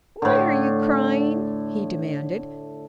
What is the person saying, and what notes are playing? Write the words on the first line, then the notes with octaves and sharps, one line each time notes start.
"Why are you crying?" he demanded.
A2 D3